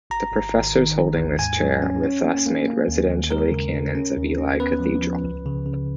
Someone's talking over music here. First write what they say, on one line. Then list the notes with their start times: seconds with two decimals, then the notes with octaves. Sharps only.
The professors holding this chair were thus made residentiary canons of Ely Cathedral.
0.10 G#1 A#5
0.32 G#1
0.54 G#1
0.75 D#3
0.96 D#3
1.17 D#2
1.39 G#2 G#5
1.60 F#3
1.82 C#4
2.03 C#4
2.24 A#3
2.46 A#3
2.68 A#3
2.89 D#2
3.10 D#2
3.31 G#3 A#4
3.52 C#3
3.74 C#3
3.95 C#4
4.17 D#2
4.38 C#4
4.60 B3 B4
4.80 F3
5.02 F3
5.24 C#2
5.45 C#3
5.66 C#3